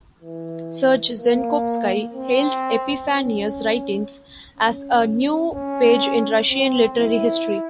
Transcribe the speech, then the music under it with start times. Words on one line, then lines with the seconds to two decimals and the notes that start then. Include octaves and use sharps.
Serge Zenkovsky hails Epiphanius' writings as "a new page in Russian literary history".
0.20 E3
1.17 A#3
2.13 C4
3.10 C#4
4.55 C#4
5.52 C#4
6.48 C4
6.97 E4